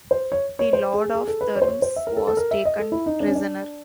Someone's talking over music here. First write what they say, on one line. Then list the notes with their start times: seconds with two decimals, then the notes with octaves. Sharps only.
The lord of Thermes was taken prisoner.
0.11 C5
0.32 C#5
0.59 C#5
0.73 C5
0.93 G#4
1.14 G#4
1.28 A4
1.41 B4
1.56 C#5
1.62 C5
1.68 C#5
1.82 C5
1.96 E5
2.07 A#4
2.17 A4
2.27 A4
2.37 A#4
2.51 E5
2.65 D#5
2.79 A4
2.92 E4
3.06 D#4
3.20 D4
3.27 C#4
3.35 D4